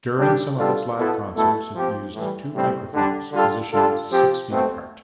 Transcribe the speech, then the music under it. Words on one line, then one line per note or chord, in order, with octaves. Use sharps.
During some of its live concerts, it used two microphones positioned six feet apart.
G3 D4 G4
B2 G3 D4 F4 A4
B2 B3 E4 A4
B2 A3 E4 A4
F3 C4 G4
A2 E3 G3
A2 G3 C4 G4
D3 G3 D4
D3 G3 D4 F4 A4
D3 G3 D4 F4 A4
F3 C4 G4
B2 A3 C4